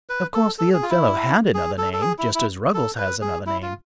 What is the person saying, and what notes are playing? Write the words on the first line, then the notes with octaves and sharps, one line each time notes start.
Of course, the Old Fellow had another name, just as Ruggles has another name.
B4
A4
A4
G#4
F4
E4
G#4
A4
A4
G#4
E4
E4
A4
B4
G#4
E4
F4